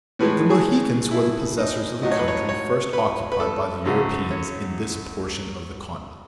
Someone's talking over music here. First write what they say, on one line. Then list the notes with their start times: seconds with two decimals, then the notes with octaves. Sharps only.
The Mohicans were the possessors of the country first occupied by the Europeans in this portion of the continent.
0.19 A2 E3 G#3 B4
0.50 G#4
1.11 E4
1.57 D#4
2.02 A2 F#3 D#5
2.11 C#5
2.19 B4
2.28 C#5
2.49 C#5
2.93 B4
3.32 B4
3.40 A4
3.85 F#2 C#3 F#3 A4
4.31 C#5